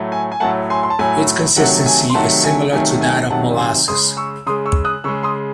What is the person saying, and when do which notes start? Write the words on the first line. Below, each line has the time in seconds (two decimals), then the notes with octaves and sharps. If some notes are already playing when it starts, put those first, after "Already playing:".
Its consistency is similar to that of molasses.
Already playing: A2 F#3 A3
0.12 G#5
0.32 G#5
0.40 A2 F#3 A3 F#5 A5
0.70 G#5 C6
0.83 C6
0.90 A5
0.99 A2 F#3 A3 G#5
1.56 C3 D#3 F#3 A3 F#5
1.86 G#5
2.10 C6
2.14 C3 D#3 F#3 A3 F#5 A5
2.44 G#5
2.72 C3 D#3 F#3 A3 G#5
3.01 G#5
3.30 C3 D#3 F#3 A3 F#5 A5
3.59 G#5 C6
3.88 C#3 G#3 C6 D#6
4.17 C#6 E6
4.46 C#3 G#3 C6 D#6
4.66 C#6 E6
4.85 D#6 F#6
5.04 C#3 C#6 E6
5.08 G#3
5.23 C6 D#6